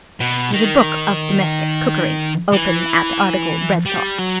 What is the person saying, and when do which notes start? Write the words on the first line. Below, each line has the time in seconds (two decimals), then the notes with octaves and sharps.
It was a book of Domestic Cookery, open at the article Bread Sauce.'
0.20 B2
0.53 D#3
2.53 E3
3.86 G3
4.19 F#3